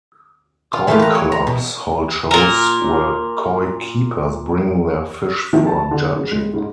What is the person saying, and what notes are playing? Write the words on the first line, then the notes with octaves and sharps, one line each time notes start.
Koi clubs hold shows where koi keepers bring their fish for judging.
F4
E3 A3 A#3 F4 G4 B4
B4 A#5
C#5
A#5
B2
A#2 A#4
C3 D#3 F3 A#3 E4
A5
D3
C#3
G#3
G#2 C#3